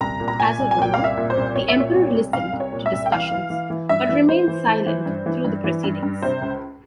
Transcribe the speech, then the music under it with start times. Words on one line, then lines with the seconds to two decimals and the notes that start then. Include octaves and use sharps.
As a ruler, the emperor listened to discussions, but remained silent through the proceedings.
0.01 C2 A#5
0.20 A#2
0.28 A#5
0.40 A#2 G#5
0.59 C2
0.71 G#5
0.78 A#2 G5
0.94 C2 F5
1.04 E5
1.17 A#2
1.30 C5
1.37 C2
1.56 C2 C#5
1.68 E5
1.76 A#2 C#5
1.95 C2
2.14 C2
2.33 C2 F5
2.53 C2
2.60 C#5
2.72 A#2
2.86 E5
2.92 C2
3.06 G5
3.11 E3 F5
3.31 E3
3.50 E3
3.70 E3
3.89 G2 E5
4.09 E3
4.28 E3 C5
4.48 E3
4.67 E3
4.86 E3
5.06 G2
5.26 E3
5.44 G2
5.64 E3
5.84 G2
6.03 G2
6.22 C3 C5
6.42 C#2